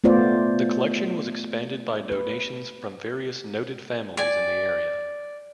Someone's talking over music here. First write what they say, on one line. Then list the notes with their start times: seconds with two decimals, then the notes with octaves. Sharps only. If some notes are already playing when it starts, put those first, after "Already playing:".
The collection was expanded by donations from various noted families in the area.
0.04 A3 B3 F4 C5 D5
2.12 B4
4.17 D5 G#5